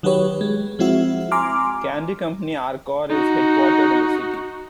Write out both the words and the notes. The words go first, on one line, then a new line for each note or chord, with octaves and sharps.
Candy company Arcor is headquartered in the city.
D#3 F#3 F#4 G4 B4 C#5
G#3
F3 G#3 C4 E4 F#4 E5
G#5 A#5 C6 D6 F6
D#4 F#4